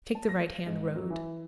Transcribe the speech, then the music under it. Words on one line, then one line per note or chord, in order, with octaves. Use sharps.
Take the right-hand road.
A5
A#6
G#2
F#3
E3